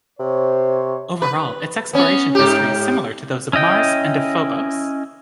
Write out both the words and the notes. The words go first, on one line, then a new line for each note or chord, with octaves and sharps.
Overall, its exploration history is similar to those of Mars and of Phobos.
C3 C5 C#5
B4
B3 C#4
G#2 G4
C#4 E4 D#5 G5